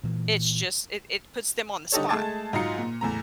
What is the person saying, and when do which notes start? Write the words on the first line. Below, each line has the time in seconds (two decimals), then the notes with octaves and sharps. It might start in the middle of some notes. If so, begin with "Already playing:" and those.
it's just it it puts them on the spot.
0.04 A#2 E3
1.92 D3 G3 D#4 G4 A4 C#5
2.09 G#3 A3 G#4 A5 G#6 A6
2.53 G#2 F#3 D#4 F4 A#5 C#7
2.78 A#2
3.01 E2 A2 A#5